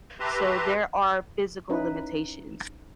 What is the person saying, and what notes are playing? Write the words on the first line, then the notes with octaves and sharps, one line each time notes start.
so, there are physical limitations
G4 B4 E5 A5 A#5 C6
C#4 D#4 E4 B4